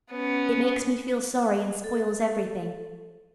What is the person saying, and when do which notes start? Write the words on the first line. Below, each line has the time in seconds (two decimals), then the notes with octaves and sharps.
It makes me feel sorry and spoils everything.
0.11 B3 C#4
1.84 A4